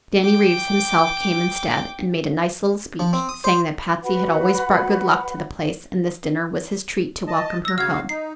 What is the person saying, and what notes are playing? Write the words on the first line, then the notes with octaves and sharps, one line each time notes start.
Danny Reeves himself came instead, and made a nice little speech, saying that Patsy had always brought good luck to the place, and this dinner was his treat to welcome her home.
G5 D6
F3
C4
D#6
C5
F#4 B4 F#5 B5
D#5 A5
E6 A#6
C#3 F#4 F5 F6 G#6
D#4 C7